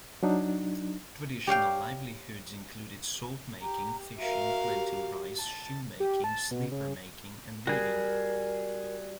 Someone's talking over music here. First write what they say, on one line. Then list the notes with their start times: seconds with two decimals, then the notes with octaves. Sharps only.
Traditional livelihoods included salt-making, fishing, planting rice, shoemaking, slipper-making and weaving.
0.23 F#3 D4 D#4
1.47 G4 C#5 F5 G5
3.61 G4 A#5
4.17 F#4 A#4 E5 F5
4.65 G4
5.35 A5
6.00 G4
6.24 A5
6.51 B2
6.71 C#3
7.67 G3 F#4 G#4 A#4